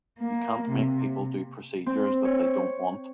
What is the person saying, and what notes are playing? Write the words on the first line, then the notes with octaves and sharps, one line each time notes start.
You can't make people do procedures that they don't want.
A#3
C3
C4
C#5